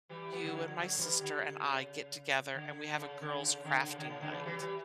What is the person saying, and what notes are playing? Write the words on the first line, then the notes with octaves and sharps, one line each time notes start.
you and my sister and I get together, and we have a girls' crafting night?"
E3 G3
G3 B3
D3 F#3
D3
D3
D3 F#3
E3 G3
D3
C#3
D3
C#3
D3
C#3
D3
C#3
D3
C#3
D3
C#3 E3
E3 G3
E3 G3